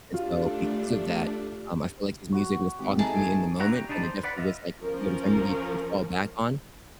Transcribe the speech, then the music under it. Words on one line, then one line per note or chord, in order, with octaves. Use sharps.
and so because of that, um, I feel like his music was talking to me in the moment and it definitely was like a good remedy to fall back on,
A3 D4 F4 G4
B3 F#4 C#5
G#1 G4
D#4 E4 G#4 A4 A5
B1
D4 E4 F#5 A#5 C#6
G4
D4 D#4 G4 A5 B5
C5
B4 D5 F#5 B5
F4 D#5 E5
F3 C#4 A#4